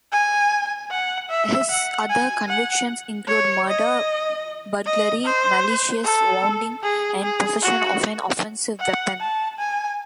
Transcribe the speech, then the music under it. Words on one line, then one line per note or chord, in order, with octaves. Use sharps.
His other convictions include murder, burglary, malicious wounding and possession of an offensive weapon.
G#5
F#5
E5
F#5
G#5
F#5
C#5
D#5
D#5
C5
A4
G#4
G#4
F#4
F#5
A5
G#5